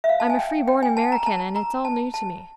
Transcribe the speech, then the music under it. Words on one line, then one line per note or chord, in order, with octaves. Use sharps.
I'm a free-born American, and it's all new to me.
E5
F5
A5
G#5
G5
G5
G#5
A5
A#5
A5
A#5
A5
A5